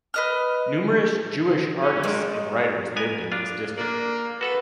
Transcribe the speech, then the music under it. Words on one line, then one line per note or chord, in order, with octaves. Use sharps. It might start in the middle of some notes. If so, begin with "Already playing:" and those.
Numerous Jewish artists and writers lived in this district.
B4 D#5 F6
C#4
D3 D#3 G#3
B3 A#4 G#5
D4 F4
A#3 D4 D5
F#4 A4 B4 F#5